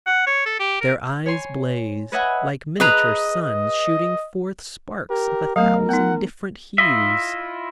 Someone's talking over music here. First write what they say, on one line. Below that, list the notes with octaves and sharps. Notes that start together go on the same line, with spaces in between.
Their eyes blazed like miniature suns shooting forth sparks of a thousand different hues.
F#5
C#5
A4
G4
A#4
C#5 G#5 C6
B4 C#5 D#5 E5 F#5 G#5
G#4 B4 D#5 A#5
D#5
G4 A#4
F#3 A3 B3 A#4 F5
B3 D#4 F#5
E4 F4 D#5 E5